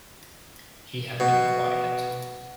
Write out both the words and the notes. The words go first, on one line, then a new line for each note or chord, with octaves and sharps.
He had been quiet.
B2